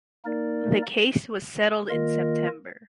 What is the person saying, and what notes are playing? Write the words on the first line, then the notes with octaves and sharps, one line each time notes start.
The case was settled in September.
A#3 D#4 A#4 D5
D#3 A#3 F4 A#4 D#5